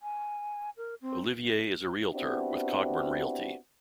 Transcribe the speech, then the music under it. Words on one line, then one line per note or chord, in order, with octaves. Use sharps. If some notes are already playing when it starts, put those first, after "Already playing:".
Olivier is a Realtor with Cogburn Realty.
G#5
A#4
C4
B3 C4 D4 E4 F#4 G4